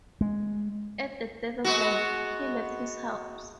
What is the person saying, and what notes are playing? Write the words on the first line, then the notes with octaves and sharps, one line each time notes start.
At the dead of night, he left his house.
G#3
G#3 B3 F#4